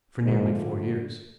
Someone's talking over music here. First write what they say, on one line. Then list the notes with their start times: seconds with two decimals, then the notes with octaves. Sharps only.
"For nearly four years."
0.22 G#2 D3 F3 A3